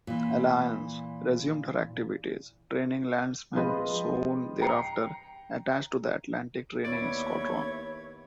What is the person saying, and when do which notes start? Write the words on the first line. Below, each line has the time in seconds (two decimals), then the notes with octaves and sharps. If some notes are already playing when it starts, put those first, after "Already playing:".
"Alliance" resumed her activities, training landsmen, soon thereafter, attached to the Atlantic Training Squadron.
0.07 A#2 E3
3.55 F3 G#3 C4 F4 B4 D#5
4.61 G5 A#5 C7 C#7
6.84 D#2 B3 E4 C#5 D5 G#6